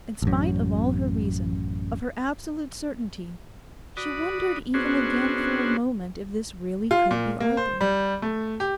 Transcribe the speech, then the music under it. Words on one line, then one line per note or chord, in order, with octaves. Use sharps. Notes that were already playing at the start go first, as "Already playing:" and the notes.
In spite of all her reason, of her absolute certainty, she wondered even again for a moment if this really could be Arthur.
A1 F#2
F#4 D5 B5 D#6
B3 C#4 D4 F#4 G#4 C5
F4
A#2
A#3
C5
G3
A3
G4